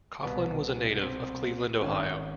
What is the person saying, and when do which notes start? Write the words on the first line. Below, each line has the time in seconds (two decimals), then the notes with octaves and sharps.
Coughlin was a native of Cleveland, Ohio.
0.24 C2 B2 B3
1.02 C4
1.81 G#1 D#3 C#4